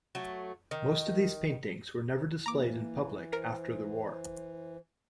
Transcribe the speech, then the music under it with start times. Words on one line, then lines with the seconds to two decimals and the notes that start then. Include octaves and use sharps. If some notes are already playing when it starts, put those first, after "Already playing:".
Most of these paintings were never displayed in public after the war.
0.15 F#3 A3
0.71 D#3
2.46 E3 A#3 A#5 D6
3.33 A#4 C5